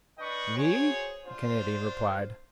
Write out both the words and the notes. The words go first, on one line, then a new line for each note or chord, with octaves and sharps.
"Me?" the Canadian replied.
D4 B4 D#5 G5 C#6
F#4 G#4 C5 C#5
D4 F4 C5